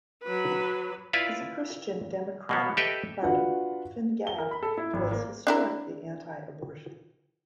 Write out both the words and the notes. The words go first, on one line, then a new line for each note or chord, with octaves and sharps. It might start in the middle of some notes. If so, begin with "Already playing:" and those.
As a Christian democratic party, Fine Gael was historically anti-abortion.
F#3 B4
E4 F4 B4 D5 E5 F5
B2 A#3 B3
G4 A4 B4 D#5 E5 G5
D4 F4 F#4 B4 F#5
G7
A#4
B5
A4
E4
G#1
A#3
D4 E4 A#4